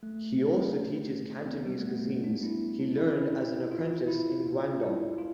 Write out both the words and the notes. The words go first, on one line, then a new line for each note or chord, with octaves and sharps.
He also teaches Cantonese cuisines he learned as an apprentice in Guangdong.
A3
C4
B3
G3
A3
B3
D4
E4
D4
E4
F4
E4
F4
E4
F4